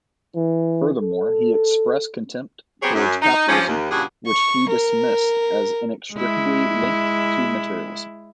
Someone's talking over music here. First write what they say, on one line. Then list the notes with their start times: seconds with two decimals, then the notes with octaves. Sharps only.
Furthermore, he expressed contempt towards capitalism, which he dismissed as inextricably linked to materialism.
0.35 E3
1.02 A4
2.82 F#3 B3 C4 G4 G#4 C#5
2.94 F#2
3.22 D#4
3.49 G2 F3 C#4
3.67 D#2
3.91 G2 A#2 C#3 G3 F#4 G#4
4.27 C#6
4.70 A#4
6.14 G#3 E4